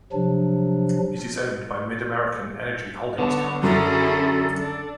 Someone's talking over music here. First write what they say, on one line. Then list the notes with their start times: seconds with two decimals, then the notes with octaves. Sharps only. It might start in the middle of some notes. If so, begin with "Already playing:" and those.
It is owned by MidAmerican Energy Holdings Company.
0.13 C3 F3 F#3 D4
3.18 D3 B3 C#5 A5
3.63 F#2 C#4 E4 G#4 A4
4.61 D4